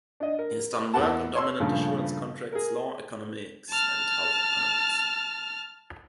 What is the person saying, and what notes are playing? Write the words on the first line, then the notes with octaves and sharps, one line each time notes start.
He has done work on dominant assurance contracts, law and economics and health economics.
D4 D#5
A#4
E2 A#3 A#4 F#5 A5
C#5 C6 E6
G2 A#2 C#3 F3 A3
G#4 A#4
A5 F6